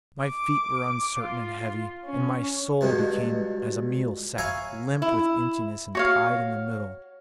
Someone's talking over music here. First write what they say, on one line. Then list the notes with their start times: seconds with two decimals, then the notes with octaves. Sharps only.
My feet were uncertain and heavy, and my soul became as a meal sack, limp with emptiness and tied in the middle.
0.24 D6
1.20 F4
2.05 C#4
2.81 C#2 G2 B2
4.38 C#5 E5 F5 G#5 A#5 B5
5.02 E4
5.95 F#4 C#5 F5